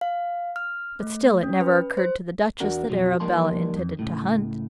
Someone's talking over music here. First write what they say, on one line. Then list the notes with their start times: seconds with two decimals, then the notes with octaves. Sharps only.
But still it never occurred to the Duchess that Arabella intended to hunt.
0.01 F5
0.56 F6
1.00 A3
1.43 C#4
1.61 B4
1.97 C5
2.60 E2 D4 F#4 A#4
2.89 F2 B2 F3 F#3
3.20 F3 G3 A#3 D#4 A5 C6
3.76 F2
3.99 C#2 A2